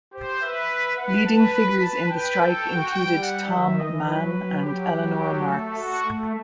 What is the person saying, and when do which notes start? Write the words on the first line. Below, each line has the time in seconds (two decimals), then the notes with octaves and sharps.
Leading figures in the strike included Tom Mann and Eleanor Marx.
0.13 G4 C5
0.41 B4 E5
0.97 B4 F#5
1.25 B4 A5
1.54 B5
1.81 B4 A5
2.09 B4 G5
2.38 A4
2.66 F#4
2.94 G3 G5
3.22 F#5
3.50 D#3 E5
3.78 E3 D#5
4.06 F#3 B4
4.34 F#3
4.62 F#3 G4
4.90 F#3
5.46 A3 A4
5.75 F#4
6.03 A3